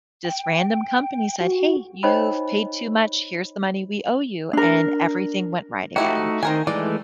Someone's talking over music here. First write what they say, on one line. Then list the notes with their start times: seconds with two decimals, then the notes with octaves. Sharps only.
this random company said, "Hey, you've paid too much, here's the money we owe you," and everything went right again.
0.25 G5
1.41 F#4
2.03 D#4 C5 C#5 D#5 G5 B5
4.53 D4 A#4
5.96 F3 A3 D#4 E4 F#4 G4
6.43 D#3 C4 D#4 A#4 G#5
6.67 E3 G#3 A3 D5